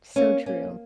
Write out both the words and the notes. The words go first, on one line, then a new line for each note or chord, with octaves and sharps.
So true.
A#3 C#4
A#3 C#4